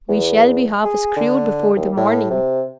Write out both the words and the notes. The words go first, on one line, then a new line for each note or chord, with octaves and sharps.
We shall be half screwed before the morning.
E2
G#4
D3
D#2
A2
C3